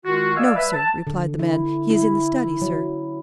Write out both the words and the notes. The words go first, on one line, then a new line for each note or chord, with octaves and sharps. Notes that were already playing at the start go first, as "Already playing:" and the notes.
"No, sir," replied the man; "he is in the study, sir."
D#3 G#3 F4 F#4
D5 D#5 F5 G#5 E6
G3 B4 E5
A5
D3
E4
E4
F#3